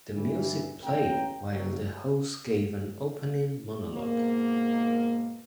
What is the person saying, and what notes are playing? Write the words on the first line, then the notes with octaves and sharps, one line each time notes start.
The music played while the host gave an opening monologue.
G2 D3 E3
A1 C#4 G5 A#5
F#1 F#3
G#2 B2 A#3